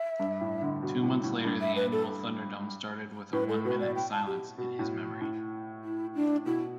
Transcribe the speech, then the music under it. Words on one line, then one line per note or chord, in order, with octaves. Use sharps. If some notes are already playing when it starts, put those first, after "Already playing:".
Two months later the annual Thunderdome started with a one-minute silence in his memory.
Already playing: E5
G2
A2
D3
B2
A2
A2
G2
E5
B4
A4
A2 B4
A4
B2 B4
D5
G5
A5
G4
B2
A2
A2
E4
D4
B2 E4